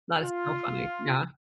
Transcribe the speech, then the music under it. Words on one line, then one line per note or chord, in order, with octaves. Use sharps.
That is so funny, yeah.
F4